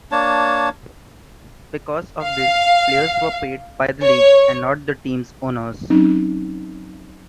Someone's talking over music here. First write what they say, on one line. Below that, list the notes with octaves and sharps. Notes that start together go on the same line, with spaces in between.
Because of this players were paid by the league and not the team's owners.
A#3 D4 C#5 A5
F5
C#5
F#3 C4 C#4 D#4